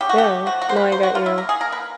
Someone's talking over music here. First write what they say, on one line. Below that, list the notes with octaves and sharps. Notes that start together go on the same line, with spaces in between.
Yeah, no, I got you.
C#3 G4
F#4
G4
A3
F3 F#4
F#4
A#3 C5
B4
F#3 C5
F#4
F#3 F4
E4
A#3 A#4
G#4
A#3 A#4
B4